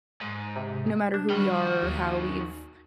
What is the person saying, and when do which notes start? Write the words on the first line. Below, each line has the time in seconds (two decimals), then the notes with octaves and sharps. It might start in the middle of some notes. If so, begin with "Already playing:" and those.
no matter who we are or how we've
0.21 G#2
0.56 C3
1.14 D4
1.30 D#3 G3 F#4
1.83 D#2